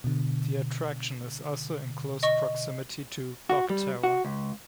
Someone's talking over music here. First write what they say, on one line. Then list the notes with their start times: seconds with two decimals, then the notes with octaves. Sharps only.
The attraction is also in close proximity to Bok Tower.
0.04 B2 D3
2.23 D#5 C#6
3.50 F#4
3.70 G3
4.04 F#4
4.24 C#2